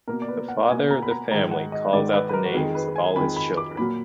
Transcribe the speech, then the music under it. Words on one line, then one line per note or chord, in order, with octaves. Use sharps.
The father of the family calls out the names of all his children.
B2 A#3 A#4
D5
B4
F#5
B2 A#3 G#5
A#5
B5
A#5
G#2 D#3 G#3 A#5
F#5
D#5
G#2 D#3 G#3 D5
B4
B4
A#4
F#4
F2 D#3 G#3 G#4
B4
G#5
F2 D#3 G#3 B5
B5
D6
A#2 F#3 A#3 B5